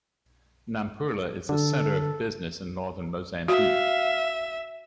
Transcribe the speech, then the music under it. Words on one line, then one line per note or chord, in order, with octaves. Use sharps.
Nampula is the centre of business in northern Mozambique.
D3 A4
F#4 E5 F5